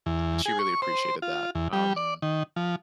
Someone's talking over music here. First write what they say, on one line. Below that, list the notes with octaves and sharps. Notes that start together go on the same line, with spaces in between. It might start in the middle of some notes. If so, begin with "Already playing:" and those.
and she really appreciated that, um,
E2
G#4
C#6
C5
F4
E2
G3
D5
D#3
F3